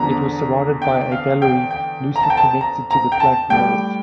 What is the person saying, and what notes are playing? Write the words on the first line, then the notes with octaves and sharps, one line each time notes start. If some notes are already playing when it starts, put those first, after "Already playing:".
It was surrounded by a gallery loosely connected to the plank walls.
Already playing: E2 D3 F3 A#5
G5
F5
G5
G5
A#5
A5
G5
A5
A#5
A#5
G5
A5
A2 G3 G5